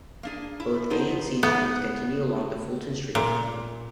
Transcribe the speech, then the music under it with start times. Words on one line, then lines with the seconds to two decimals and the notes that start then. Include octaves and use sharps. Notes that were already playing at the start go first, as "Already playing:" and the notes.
Both the A and C trains continue along the Fulton Street Line.
0.23 A#3 D4 G#4
0.60 E4
0.90 B3 D4 D#4 C5
1.43 B3
3.15 A#2